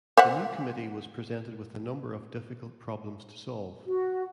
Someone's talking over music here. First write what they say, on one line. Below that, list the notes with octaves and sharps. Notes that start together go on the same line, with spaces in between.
The new committee was presented with a number of difficult problems to solve.
C5 E5 F#5
F#4